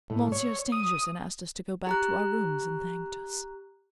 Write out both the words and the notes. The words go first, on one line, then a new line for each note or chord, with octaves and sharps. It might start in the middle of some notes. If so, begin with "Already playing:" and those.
Monsieur Stangerson asked us to go back to our rooms and thanked us.
A2
C#5
D#6
G4 A#5 F#6